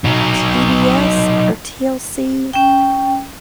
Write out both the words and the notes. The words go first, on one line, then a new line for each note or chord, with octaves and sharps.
TBS or TLC.
F#3 D#4
C#4 G5